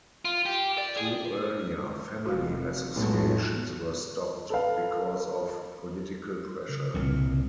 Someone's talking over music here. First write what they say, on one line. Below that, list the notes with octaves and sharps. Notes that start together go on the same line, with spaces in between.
Two earlier family associations were stopped because of political pressure.
F4
G4
D5
G#4
F1 G#2 F#4 F5
B1 A2 F#3 G#3 A3 D#4
A4 B4 F5
C#3
C2 A#2 C#3